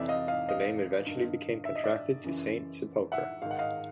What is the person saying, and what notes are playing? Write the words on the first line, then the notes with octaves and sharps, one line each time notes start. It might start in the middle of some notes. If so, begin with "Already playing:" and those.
The name eventually became contracted to Saint Sepulchre.
Already playing: F2 C3 E3 D5 E5
D#5 F5
D#5 F5
D#5 F5
G2 D#3
E5
D#5
D5 E5
F#2 C#3 E3
E5 F#5
G#2 D#3 F5
F#5
D#5 F5